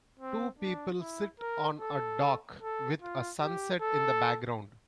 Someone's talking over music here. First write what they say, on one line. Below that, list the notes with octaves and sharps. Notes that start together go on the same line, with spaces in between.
Two people sit on a dock with a sunset in the background.
C4
D4
E4
A#4
A4
A4
F4
G4
A4